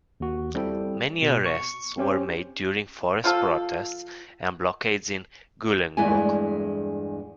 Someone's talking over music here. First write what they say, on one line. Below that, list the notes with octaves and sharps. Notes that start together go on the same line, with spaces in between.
Many arrests were made during forest protests and blockades in Goolengook.
D#2 F#4
G3 C4 E4 A4 G5
B2
C#6 C#7
C4 C#4 G4 C5
F3 F4 A4
E2 G2 G#3 A3 E4 G#5